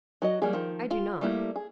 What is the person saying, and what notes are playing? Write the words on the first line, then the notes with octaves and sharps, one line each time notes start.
"I do not."
F#3 F#4 D#5
F#3 G3 A#3 G#4
D#3 F3
F4
G3 A3 A#3 E4
G#4